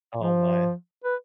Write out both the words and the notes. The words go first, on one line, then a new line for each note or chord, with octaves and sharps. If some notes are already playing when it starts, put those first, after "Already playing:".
Oh, my.
F3
B4